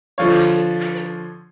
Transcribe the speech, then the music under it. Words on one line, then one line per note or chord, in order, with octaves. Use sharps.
I kind of
D3 F3 F4 C#5